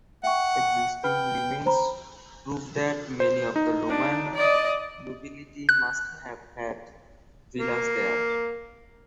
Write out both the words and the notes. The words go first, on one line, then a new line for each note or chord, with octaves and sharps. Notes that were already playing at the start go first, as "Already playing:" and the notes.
Existing remains prove that many of the Roman nobility must have had villas there.
E5 F#5 G5 C#6
B4 G5 B5 F6
C5 A#5 B5
C5
D#4
D4
D5 D#5
F#6
A#3